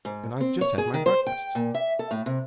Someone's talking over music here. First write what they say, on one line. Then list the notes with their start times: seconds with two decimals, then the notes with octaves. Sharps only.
And I've just had my breakfast.
0.05 G#2
0.41 C4
0.61 C#5
0.78 G#4
0.94 D#3
1.06 C5
1.26 G5
1.55 A#2
1.75 E5
1.99 A4
2.11 A2
2.26 C3